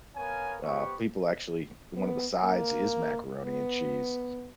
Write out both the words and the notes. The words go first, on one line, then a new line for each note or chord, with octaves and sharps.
Uh, people actually one of the sides is macaroni and cheese.
B3 A#4 C#5 F5 G#5
B3 G4 C5 C#6
B3
A#3
B3